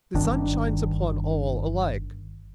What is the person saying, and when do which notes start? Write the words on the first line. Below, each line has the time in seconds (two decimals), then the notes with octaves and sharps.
The sun shines upon all alike!
0.14 G1 G2 D#3 D4